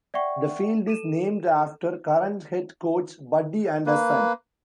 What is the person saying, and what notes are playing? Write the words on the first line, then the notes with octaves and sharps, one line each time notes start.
The field is named after current head coach Buddy Anderson.
D5 E5 F#5 G5 C#6
A4 D#7 E7
A#3 B4